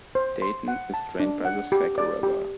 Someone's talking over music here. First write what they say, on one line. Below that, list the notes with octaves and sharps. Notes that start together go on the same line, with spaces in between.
Dayton is drained by the Saco River.
C5
C6
F#5
A5
D4
F#5
G4
D5
G4